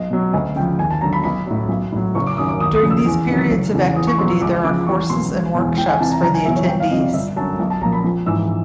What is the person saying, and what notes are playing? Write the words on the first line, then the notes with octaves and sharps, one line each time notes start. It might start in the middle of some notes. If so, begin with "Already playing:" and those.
During these periods of activity there are courses and workshops for the attendees.
Already playing: B1 D#5
B2 F#3
D2 D#5
C#3 F3 G5
D#2 G#5
A5
D3 F#3 A#5
B5
B1 B5
A2 F#3
B1
A2 F#3
F#1 C#6
D6
F#2 D#3 F#3 D#6
D6
D#2 D#6
D#6
C#3 F3
E6
E2
C3 D#3 F#3
F#1
E2 C#3
E2 D#6
C#6
B2 F#3 C6
E6
C#2 D6
C#3 F3 D6
E2 C#6
B2 F#3 C6
E1
E2 B2
E2 G5
G#5
C3 E3 A5
A#5
F#1 A#5
G#5
E2 B2 F#3 E5
C#5
G1 G5
F5
F2 C3 D#5
D5
G1 E5
F#2 D3 F#3 A5
B1
A5
A#2 F3 A#5
B5
A#1
G#2 E3 E6